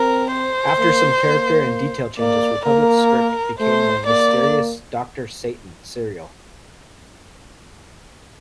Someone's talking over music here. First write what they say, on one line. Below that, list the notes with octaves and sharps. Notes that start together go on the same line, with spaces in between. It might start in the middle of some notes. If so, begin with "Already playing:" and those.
After some character and detail changes, Republic's script became their "Mysterious Doctor Satan" serial.
Already playing: C4 A#4
C5
A#3
A#3
A#3 D5
A#3 A#4
A3 C5
A#3 D5